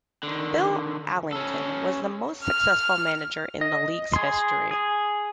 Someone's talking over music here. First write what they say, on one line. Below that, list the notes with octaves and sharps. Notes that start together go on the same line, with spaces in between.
Bill Allington was the most successful manager in the league's history.
D3 D#3
C#4 A4
F6
D#5
G#4 C6
G#4